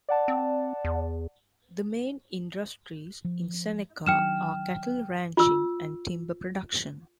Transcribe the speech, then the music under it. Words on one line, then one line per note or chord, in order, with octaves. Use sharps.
The main industries in Seneca are cattle ranching and timber production.
D5 F#5 A5
C4
E2
F3
D#3 F#3 D4 G5 F6 E7
F4 E6